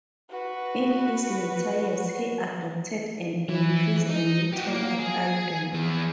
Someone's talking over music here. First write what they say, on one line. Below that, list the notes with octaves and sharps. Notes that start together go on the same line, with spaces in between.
In his later years, he adopted an increasingly tonal idiom.
F#4 B4
E3
D#4
F#4 G4
A#3
G#4
E2 G#4